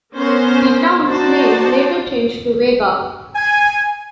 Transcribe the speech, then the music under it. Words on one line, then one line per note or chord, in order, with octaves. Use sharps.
The town's name later changed to Vega.
B3 C#4 A#4 C5
D#4 F#4 C5 D5 A5
G#5